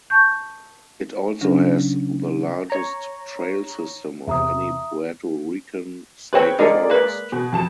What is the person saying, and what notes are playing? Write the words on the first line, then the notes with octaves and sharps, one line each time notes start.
It also has the largest trail system of any Puerto Rican state forest.
A5 C#6 G6
C#3 F#3 C#4 D4
C#5 A#5
E2 C3 E5 A#5 D#6
C4 G#4 B4 C#5 G5
D3 G#3 D4 D#4 A#4 D5
A#3 B4
B2
F2 A5 E7